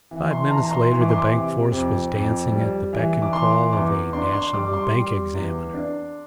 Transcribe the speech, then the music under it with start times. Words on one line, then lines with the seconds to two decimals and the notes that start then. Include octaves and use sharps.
Five minutes later the bank force was dancing at the beck and call of a national bank examiner.
0.11 E3
0.31 C6
0.46 A5
0.51 E3 A#5
0.66 A#5
0.71 C6
0.91 E3
1.01 D6
1.10 C6
1.18 D6
1.31 C3
1.72 F2
2.12 F2
2.52 G3
2.93 E3
3.22 D6
3.33 E3 C6
3.73 E2 D6
4.13 D4 C6
4.33 C6
4.53 G3 D6
4.73 C6
4.94 G3
5.34 E2
5.74 D4